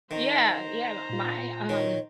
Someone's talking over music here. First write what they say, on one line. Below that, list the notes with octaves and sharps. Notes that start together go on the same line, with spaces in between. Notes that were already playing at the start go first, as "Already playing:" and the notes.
Yeah, yeah, my, um
D#3 C5 A#5
A#2 F4
D#3 C#5